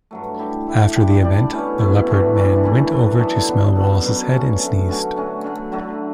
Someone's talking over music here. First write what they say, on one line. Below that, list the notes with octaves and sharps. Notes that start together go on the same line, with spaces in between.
After the event, the Leopard Man went over to smell Wallace's head and sneezed.
G2 F#3 A3
A3 E4 G4
A3 E4 G4
G3 D4 G4 D5
G3 D4 G4 D5
B2 A3 C#4 E4
B2 A3 C#4 E4
G2 E3 A3 D4
G2 E3 A3 D4
F#2 E3 A3
F#2 E3 A3
F#3 B3 D4 A4
F#3 B3 D4 A4
B2 F#3 B3
B2 F#3 B3
D3 A3 C#4
D3 A3 C#4
D3 A3 C#4 F#4
D3 A3 C#4 F#4
D3 F#3 A3
D3 F#3 A3